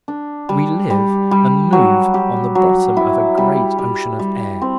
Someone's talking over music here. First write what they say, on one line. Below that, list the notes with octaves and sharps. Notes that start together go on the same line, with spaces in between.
We live and move on the bottom of a great ocean of air.
D4
G3
G3
G3
F#3
G4
F#3
E4
G3
G3
G3
C4